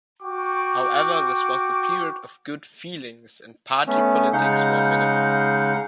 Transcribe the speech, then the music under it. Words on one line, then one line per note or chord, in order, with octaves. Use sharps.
However, this was the period of good feelings, and party politics were minimal.
F#4 G5 C#6 D6
A3 B3 C#4
C#3 G#3 D#4 F5 F#5 G6